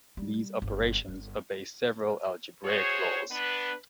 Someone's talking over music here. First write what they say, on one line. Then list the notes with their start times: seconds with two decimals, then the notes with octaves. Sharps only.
These operations obey several algebraic laws.
0.17 G3
0.62 G1
1.08 G1
2.65 F#4 G#4 C5 C#5
3.31 B3 D4 B4